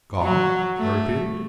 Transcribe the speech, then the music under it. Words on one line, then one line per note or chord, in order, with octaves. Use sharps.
"Gone?" I repeated.
F#3
A3